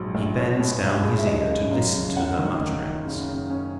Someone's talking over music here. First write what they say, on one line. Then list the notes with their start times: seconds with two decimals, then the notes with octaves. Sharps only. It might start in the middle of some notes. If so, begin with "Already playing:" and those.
He bends down his ear, to listen to her mutterings.
Already playing: A#1 G#2 F#3
0.15 A#1
0.38 B2 C#5
0.59 B2
0.83 C#2
1.04 G#3
1.18 E5
1.27 F#2 D#5
1.49 C#3
1.72 F#2
1.94 C#3
2.16 F#2 F#5
2.39 D#3
2.61 D#3
2.83 F#1
3.06 C#3
3.28 C#3
3.50 C#4